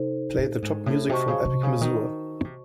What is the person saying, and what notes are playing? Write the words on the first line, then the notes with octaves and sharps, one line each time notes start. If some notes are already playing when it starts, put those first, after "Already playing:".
Play the top music from Epic Mazur.
Already playing: C3 D#4 A4 C5
A2
G#2
A2
C3 F#4 C5 D#5 A5 C#6
C#3
C3
C#3
D#3
C3